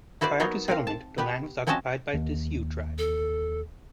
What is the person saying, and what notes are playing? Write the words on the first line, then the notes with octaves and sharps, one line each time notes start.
Prior to settlement the land was occupied by the Sioux tribe.
E4 F#4 B4 C5 D5
F#3 B3 D#4 A#4 C#5 D#5
C4 A#4 F5
A5
B3 G4 B4
F3 C4 C#4 F#4 D#5 A5
D#2
A4